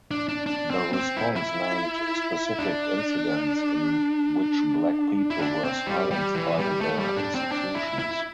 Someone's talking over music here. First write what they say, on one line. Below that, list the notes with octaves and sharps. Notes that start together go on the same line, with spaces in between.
The response named specific incidents in which Black people were silenced by their institutions.
D4
D4
D4
C4
C4
E4
E4
D4
E4
D4
C4
G3
G3
E3
G3
A3
G3
D4
C4
D4
E4
E4